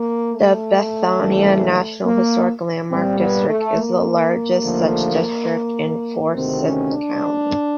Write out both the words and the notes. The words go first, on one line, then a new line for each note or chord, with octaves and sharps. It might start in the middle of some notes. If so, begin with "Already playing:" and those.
The Bethania National Historic Landmark district is the largest such district in Forsyth County.
Already playing: A#3
A3
D#2 C#3 E3 G3
A#3
A#2 G3 C4
B3
A3
A#3
D#2 D3 F3 A3
D2 C3 D#3 C4
C#4
D4